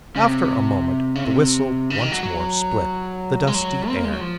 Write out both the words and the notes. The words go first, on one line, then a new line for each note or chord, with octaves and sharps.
After a moment the whistle once more split the dusty air.
C#3
C3
C#3
C3
C#3
D#3
F#3
F#3
G#3
F#3
C4
A#3
G#3
F#3
F3